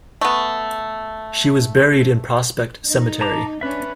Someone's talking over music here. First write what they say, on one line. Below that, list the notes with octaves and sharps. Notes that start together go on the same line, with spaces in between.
She was buried in Prospect cemetery.
A3 B3
D#4
A5 A#5 D6
C#4 D4 B4 E5